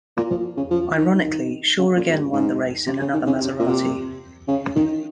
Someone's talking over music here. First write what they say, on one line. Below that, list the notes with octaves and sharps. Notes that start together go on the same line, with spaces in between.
Ironically, Shaw again won the race in another Maserati.
A#2
F3
C#3
F3
D#3
D#3
C#3
A#2
F2
G2
G#2
C3
C#3
D#3
C#3
C3
A#2
C3
C#3
D#3